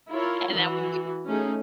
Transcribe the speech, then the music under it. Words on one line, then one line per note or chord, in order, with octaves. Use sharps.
And that would be
E4 F4 A#4 C#5
E3 F#4
A3 C#4 D#4 G#4